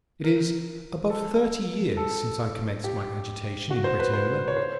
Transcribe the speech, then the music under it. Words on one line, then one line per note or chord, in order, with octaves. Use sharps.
It is above thirty years since I commenced my agitation in Britannula.
A#4
A4
A4
G4
F#4
C5
B4
C5
C#5
C5